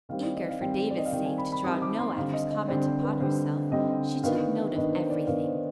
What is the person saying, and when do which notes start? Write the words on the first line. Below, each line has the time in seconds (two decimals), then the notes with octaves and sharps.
Eager, for David's sake, to draw no adverse comment upon herself, she took note of everything.
0.09 D#3 G3 C4 F5
0.23 D5
0.35 D#5
0.49 F5
0.61 D#3 G3 C4 G5
0.90 D5
0.98 D#5
1.06 F5
1.12 D#3 G3 C4 G5
1.25 G#5
1.38 B5
1.52 B5
1.64 D#3 G3 C4 D#6
1.82 D6
1.99 C6
2.16 D3 G3 C4 F5
2.33 D#5
2.51 D#5
2.68 D3 G3 C4 D5
2.86 C5
3.03 B4
3.20 D3 G3 C4 C5
3.72 D3 G3 C4 D#5
4.23 D#3 B3 D4 F5
4.75 D#3 B3 D4 D#5
4.92 C5
5.10 D5
5.27 D#3 B3 D4 F5
5.44 C5